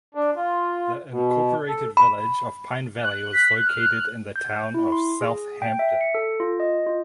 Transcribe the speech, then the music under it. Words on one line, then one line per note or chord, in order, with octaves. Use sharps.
The Incorporated Village of Pine Valley was located in the Town of Southampton.
D4
F4
B2
A4
B5
F#6
B6
F6
G6
E4
C6
G#4
G5
E5
C#7
A4
F4
D#5
F4